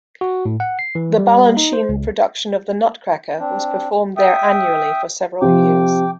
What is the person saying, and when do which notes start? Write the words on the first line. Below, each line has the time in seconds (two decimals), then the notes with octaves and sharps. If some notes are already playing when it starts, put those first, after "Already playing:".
The Balanchine production of "The Nutcracker" was performed there annually for several years.
0.21 F#4
0.45 A2
0.60 F#5
0.79 C7
0.95 E3
1.18 G3
1.57 D#4
1.73 C5
1.89 C#2
3.39 C4 D4
4.17 E5 G5 D#6
5.42 C3 F3 G5 D6